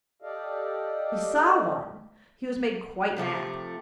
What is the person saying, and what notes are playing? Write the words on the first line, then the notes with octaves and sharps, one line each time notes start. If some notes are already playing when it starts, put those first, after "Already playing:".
If he saw one he was made quite mad.
G4 A4 D5 D#5 F5
C3 F3 A3 G4